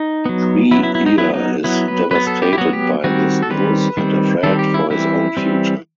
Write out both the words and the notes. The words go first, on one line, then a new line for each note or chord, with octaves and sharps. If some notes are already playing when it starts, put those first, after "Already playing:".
Tree-ear is devastated by this news and afraid for his own future.
Already playing: D#4
F#3 B3
F#3 B3 E4
E4
E4
D#4
F#3 B3 E4
D#4
F#3 B3 E4
B4
F#3 B3 B4
A4
G4
E4
F#3 B3 F#4
G4
D#3 G3 C4 F#4
A4
D#3 G3 C4 B4
D#3 G3 C4
D#3 G3 C4 A4
G4
E4
E3 G3 C4 E4
E3 G3 C4